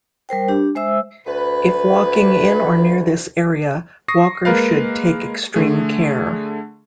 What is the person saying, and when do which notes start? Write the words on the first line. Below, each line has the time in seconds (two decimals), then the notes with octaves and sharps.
If walking in or near this area, walker should take extreme care.
0.29 G3 A#4 C5 G5
0.48 D4 G4
0.75 G#3 C5 E5 E6
1.27 D2 B4
4.08 C#6 D#6 A#6 C7
4.45 G#3 A#3 A#4 B4 F5
5.54 D3 A3 G#4